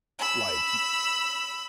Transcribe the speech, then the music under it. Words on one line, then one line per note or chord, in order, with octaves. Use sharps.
like y
B5 E6